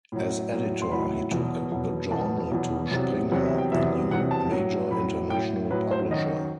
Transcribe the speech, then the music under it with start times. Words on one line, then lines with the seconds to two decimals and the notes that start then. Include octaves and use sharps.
As editor, he took the journal to Springer, a new major international publisher.
0.12 A2 F#3
0.52 A2 F#3
0.82 C6
0.92 A2 F#3 B5
1.32 E2 B2 F#3
1.72 E2 B2 F#3
2.11 E2 B2 F#3 A5
2.52 E2 B2 F#3
2.92 E2 C3 F#3
3.31 E2 C3 F#3 F#5
3.45 E5
3.58 G5
3.71 E2 C3 F#3 E5
4.11 E2 C3 F#3 F#5
4.31 A5
4.51 A2 F#3
4.90 A2 F#3 B5
5.30 A2 F#3 G5
5.71 A2 F#3 B4
5.91 C5
6.11 F#2 D#3 F#3 D#5